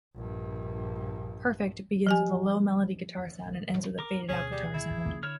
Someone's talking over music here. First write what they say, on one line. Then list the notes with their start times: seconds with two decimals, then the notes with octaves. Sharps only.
"Perfect" begins with a low-melody guitar-sound and ends with a faded out guitar-sound.
0.16 A#1 G2
2.07 F3 G4 G#5
3.99 A#4 D6
4.29 D2 B2 C#4 G#4
4.51 G3
4.74 E4
5.05 C#3 F3 A#3
5.23 D3 E4 C#5 F6